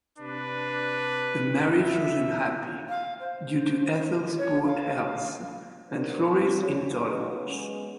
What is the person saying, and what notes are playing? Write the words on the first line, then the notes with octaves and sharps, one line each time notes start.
The marriage was unhappy, due to Ethel's poor health and Florey's intolerance.
C3 D4 B4
E2 E4 E5
F5
C5
C#5
F5
B3 D4 F#4 A#4 C5
F3 C4
E2 C#3 D4 E4 G#4 C#5
C#3 E3 F#3 B3 D#4
G#3 B3 C#4